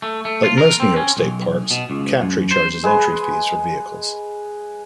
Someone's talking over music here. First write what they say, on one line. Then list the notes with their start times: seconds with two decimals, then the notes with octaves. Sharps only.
Like most New York State Parks, Captree charges entry fees for vehicles.
0.02 A3
0.25 A3
0.43 F4
0.58 A#4
0.80 C4
0.96 C#4
1.17 B1
1.71 B2
1.90 C#2
2.21 F#2
2.51 C5
2.84 G#3 G#4 B4